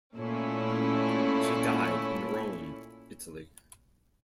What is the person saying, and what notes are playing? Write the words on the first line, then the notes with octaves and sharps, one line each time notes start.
She died in Rome, Italy.
A#2 A3 C#4 E4